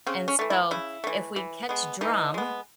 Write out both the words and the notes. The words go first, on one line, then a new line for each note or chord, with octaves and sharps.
and so, if we catch drum
C#3 C4
C#4
E3 A3
E4
C#3 E4
E3 A3
E3
G#3 B3
E3 D#4
G#3 B3